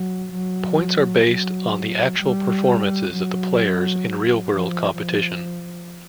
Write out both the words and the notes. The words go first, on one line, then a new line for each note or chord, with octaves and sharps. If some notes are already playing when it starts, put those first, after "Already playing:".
Points are based on the actual performances of the players in real-world competition.
Already playing: F#3
F#3
F#3
G3
F#3
F3
F3